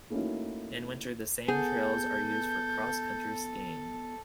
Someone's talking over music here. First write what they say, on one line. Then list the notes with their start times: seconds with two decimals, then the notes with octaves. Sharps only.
In winter, the same trails are used for cross-country skiing.
0.10 A3 A#3 C#4 D#4 E4 F#4
1.48 B3 G#4 A4 G6